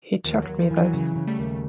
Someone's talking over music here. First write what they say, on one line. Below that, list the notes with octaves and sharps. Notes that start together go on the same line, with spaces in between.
He chucked me this.
D#2 F3
F#3
D#2
F3
E3
F#3
C#3 F#3
C#3
G3 A3
D#2